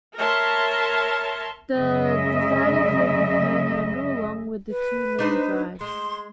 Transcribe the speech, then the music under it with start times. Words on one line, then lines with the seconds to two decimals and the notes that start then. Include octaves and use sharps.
The design included a Panhandle along with two main drives.
0.17 A#4 C#5 E5 A5 C6
1.76 F#2 C#3 G#3 D#5 E5
4.70 B4
5.19 D4 D#4 C5
5.81 G#3 C6